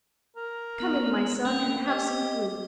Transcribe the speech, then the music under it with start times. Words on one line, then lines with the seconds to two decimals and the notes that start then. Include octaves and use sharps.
'Come in, my son, and have some food.
0.37 A#4
0.80 B3
1.45 A#3 C#4 G5
1.88 G4 D#5